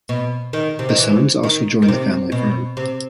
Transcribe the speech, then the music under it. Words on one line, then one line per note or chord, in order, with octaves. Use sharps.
The sons also joined the family firm.
B2
D#3
C3
D#3
E3
D#3
D#3
C3
B2
C3